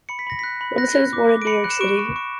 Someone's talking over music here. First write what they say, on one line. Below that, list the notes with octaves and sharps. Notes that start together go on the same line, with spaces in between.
Robinson was born in New York City.
B5 C#7
B6
B5 A#6
F#6 B6
B5
F#6 A#6
F#6
D6
D6
D7
B5 C#7
F#6
E7
C#6 D7
C#6
C#6